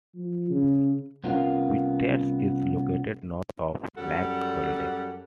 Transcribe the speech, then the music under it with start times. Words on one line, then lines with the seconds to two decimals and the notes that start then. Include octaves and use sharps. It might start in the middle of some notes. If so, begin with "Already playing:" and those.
Whitacre is located north of Lake Holiday.
0.15 F3
0.50 C#3
1.24 C2 B3 C#4 F4 A#4 F5
3.96 F#2 G3 A4 F#5